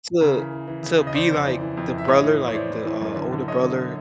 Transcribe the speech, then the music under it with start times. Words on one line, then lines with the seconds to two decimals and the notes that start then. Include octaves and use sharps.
to to be, like, the brother, like, the, uh, older brother
0.21 C#3 A#4
0.37 E3
0.52 E3
0.67 E3
0.83 C#3
0.99 C#3
1.07 D#5
1.14 C#3 C5 D5
1.31 F2
1.46 E3
1.61 E3
1.77 F2
1.93 E3
1.98 E5
2.07 A2 C#5 D#5
2.24 A2
2.38 E3
2.48 C#5
2.54 E3 C5 D5
2.70 A2
2.85 E3
3.01 F#2
3.16 D3
3.32 D3
3.48 F#2 C#5 D#5
3.63 D3